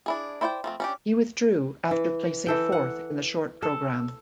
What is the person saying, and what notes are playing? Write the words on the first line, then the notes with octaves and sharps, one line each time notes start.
He withdrew after placing fourth in the short program.
D4 E4 G#4
E4 C5 D5 F#5 G5
F3 A3 C4
C#4 D4 G4
E3
E3 A4 G5
F#5
A4